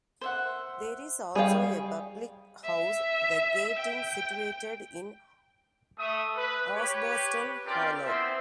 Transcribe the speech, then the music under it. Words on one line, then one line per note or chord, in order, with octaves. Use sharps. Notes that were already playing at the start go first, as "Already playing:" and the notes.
There is also a public house, The Gate Inn, situated in Osbaston Hollow.
C5 E5 F#5
G3 G#4 C#5 F5 G5
E5
G5
A3 E5 D#6
B4
G4 B4 C#5
C4 C#4 F4 G4 A#4 D5
B3 C4 E4 C5 E5